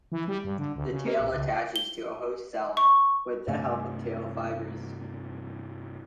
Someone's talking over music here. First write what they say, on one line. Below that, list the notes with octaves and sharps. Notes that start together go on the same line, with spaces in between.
The tail attaches to a host cell with the help of tail fibres.
E3
G3
G2
D3
D2
C#3
A#3
A#1
C#2
G7
C#6
G2 C3 A3 C#4